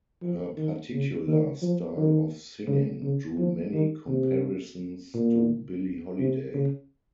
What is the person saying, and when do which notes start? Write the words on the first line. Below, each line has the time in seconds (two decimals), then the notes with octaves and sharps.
Her particular style of singing drew many comparisons to Billie Holiday.
0.22 F3
0.57 D#3
0.92 C#3
1.28 D#3
1.62 F3
1.97 D#3
2.67 C#3
3.02 C#3
3.38 F3
3.73 D#3
4.08 C3
5.14 A#2
6.19 C3
6.54 C#3